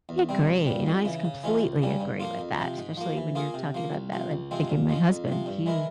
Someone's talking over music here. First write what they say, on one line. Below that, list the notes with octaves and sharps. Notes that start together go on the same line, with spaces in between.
I agree, and I s completely agree with that, especially when you're talking about that like, thinking of my husband, he
E2
C3 G3 C4
C2
A#2 G3
F2
C#3 E3
C#3
E3 G#3 C#4 F4
C#2
C#3 G3 C#4
G2
F3 A#3 F4
F2
C3 F3
G#2
F3 A#3
E3
A#3 F4 G#4
C3
F3 A#3
C2
C3 F3
C#2
C3 F3 G#3 C4
A#2
F3 G#3 C#4
F2
C3 F3
G2
E3 G#3 E4 A#4